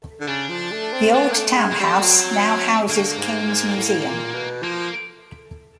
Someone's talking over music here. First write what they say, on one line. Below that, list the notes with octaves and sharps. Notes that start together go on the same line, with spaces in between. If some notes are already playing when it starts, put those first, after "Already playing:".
The Old Town House now houses King's Museum.
D3
C#3 D4
F3
A3
C4
B3 D4
A#3
A3
G#3
C4
G3
F#3
D3 A#3
G#2
A2
G#2
A2
A#2
B2
F3 A#3